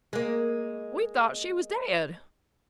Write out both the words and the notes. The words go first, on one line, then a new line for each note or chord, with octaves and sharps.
We thought she was dead.
G#3 A#3